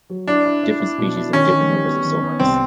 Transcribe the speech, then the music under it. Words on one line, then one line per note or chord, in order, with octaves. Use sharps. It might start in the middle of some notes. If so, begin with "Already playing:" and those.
Different species have different numbers of somites.
F#3
D4 E4
E4
E4
E4
B2
E4
D#3 C#4
D#3
G3
B3
D#3
B3
C2 C4